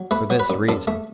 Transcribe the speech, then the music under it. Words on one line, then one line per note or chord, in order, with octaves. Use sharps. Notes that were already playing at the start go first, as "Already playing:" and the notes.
For this reason.
Already playing: F#3
A3 B4
F#3
B4
F#2
F#2 A4
A3